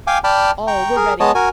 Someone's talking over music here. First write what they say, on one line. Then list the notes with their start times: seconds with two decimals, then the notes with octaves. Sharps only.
All were ready.
0.07 F5 G5 G#5 D6
0.24 D5 G5 A5 B5 F6
0.67 G5 A#5 C#6
0.96 G#4 A#4
1.20 G#3 B3 C#5 D#5 A5
1.35 F#4 A#4 G#5